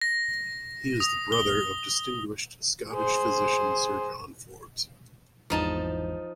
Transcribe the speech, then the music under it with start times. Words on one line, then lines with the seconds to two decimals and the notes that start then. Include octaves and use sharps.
He is the brother of distinguished Scottish physician Sir John Forbes.
0.02 A#6
1.00 D#6
1.32 G7
2.92 G#4 C5
5.50 G#1 E2 F3 D#4 A5